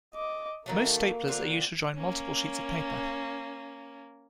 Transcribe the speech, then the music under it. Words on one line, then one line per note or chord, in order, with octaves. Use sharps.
Most staplers are used to join multiple sheets of paper.
D#5 D6
D#3 F#3 A3 A#3 A#4
D3 C4 F4
A#3 C#4